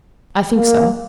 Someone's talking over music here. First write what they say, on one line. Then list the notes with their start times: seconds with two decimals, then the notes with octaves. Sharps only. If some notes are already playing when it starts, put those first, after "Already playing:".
"I think so."
0.56 A#3